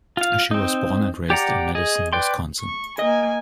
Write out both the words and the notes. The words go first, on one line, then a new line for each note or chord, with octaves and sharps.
She was born and raised in Madison, Wisconsin.
F4 F5
C4 D#4
G4 D5 F#5 A#5
G#4 D#5
B4 D5 G5 C6
C#6
A#3 D#5 G#5